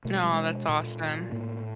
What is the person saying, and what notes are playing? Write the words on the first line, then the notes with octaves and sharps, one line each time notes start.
Aw, that's awesome.
B2 A3
G#3
G3
G#3
A#2
A2 A#3